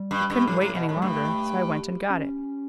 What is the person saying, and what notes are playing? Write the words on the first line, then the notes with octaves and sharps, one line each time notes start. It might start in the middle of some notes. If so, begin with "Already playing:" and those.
"I couldn't wait any longer, so I went and got it."
Already playing: G3
G2
G2
A2
A2
B2
A2
G3
G2 A3
C#4